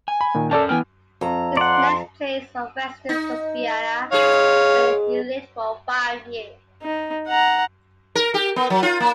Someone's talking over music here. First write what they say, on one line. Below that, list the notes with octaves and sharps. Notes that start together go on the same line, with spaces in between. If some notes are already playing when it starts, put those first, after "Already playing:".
His next place of residence was Vienna, where he lived for five years.
G#5
B5
A#2 D#3
C#4 A4 A#4 D5 A5
E3 B3 G5 G#5 F6
F2 A#5
D5 F#5 C6
D#4
G#2 G#4 C#5 F5
D#4
F#5 A#5
A#4
G4
B3
F#3
F4
A#3